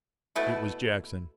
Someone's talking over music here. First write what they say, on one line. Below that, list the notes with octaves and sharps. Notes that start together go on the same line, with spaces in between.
It was Jackson.
B2 A3 E4